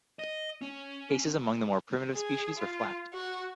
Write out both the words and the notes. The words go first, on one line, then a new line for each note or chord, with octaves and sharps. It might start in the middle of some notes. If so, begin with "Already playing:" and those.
Cases among the more primitive species are flat.
D#5
C#4
G#4
F4
F#4